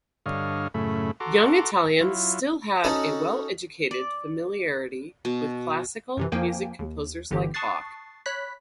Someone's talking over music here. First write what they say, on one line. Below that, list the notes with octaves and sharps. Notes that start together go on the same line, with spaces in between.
Young Italians still had a well-educated familiarity with classical music composers like Bach.
G2 D3 C#5 D#5 F5
F#2 A2 C#3 A3 B5
F#4 A4 A#5 C6 D6
F#3 E4 F4
C#4 D#4 F#4 A4 D#5 F#5
D5
B2
F#2 C3 E3
F2 F3 A#3 G5 G#5
D#2
G1 D3 E3 G4
A5 C#6 D#6 F#6 A6 C7
C#5 B5 F#6 B6